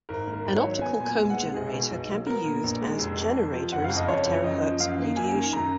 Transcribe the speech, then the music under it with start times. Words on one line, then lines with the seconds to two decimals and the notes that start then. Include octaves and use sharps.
An optical comb generator can be used as generators of terahertz radiation.
0.09 G#1 A#4
0.27 G#2
0.33 A#4
0.45 G#1
0.57 C#5
0.64 F#3
0.81 B3 G#5
1.00 A#2
1.05 G#5
1.17 B1
1.30 F#5
1.35 G#3
1.54 B1 G#4
1.73 B2
1.91 B1
2.08 F#3
2.27 B3 A#4
2.44 A#2
2.63 A#1
2.81 G#3
2.98 F1
3.17 F2
3.35 F1
3.53 F3
3.72 F#1 F#5
3.84 F2 F5
3.96 D#5
4.08 F#1 C#5
4.26 F3
4.44 F#2 D#5
4.62 F3
4.80 F#2 F5
4.98 A#3
5.16 F#2 G#5
5.35 D#3
5.52 F#2 A#5